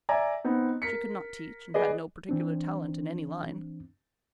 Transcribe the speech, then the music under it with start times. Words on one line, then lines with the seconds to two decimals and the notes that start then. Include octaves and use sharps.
She could not teach and had no particular talent in any line.
0.09 D5 E5 G#5 A#5
0.44 B3 C4 D#4
0.82 A#4 B6 C#7
1.74 G#4 B4 D5 D#5
2.29 E3 C4 D4